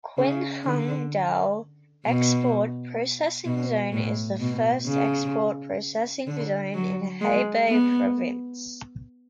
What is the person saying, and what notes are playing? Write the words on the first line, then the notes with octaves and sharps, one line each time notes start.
Qinhuangdao Export Processing Zone is the first export processing zone in Hebei Province.
C#3
D3
B2
B2
A2
B2
C#3
D3
F#3
G#3
B3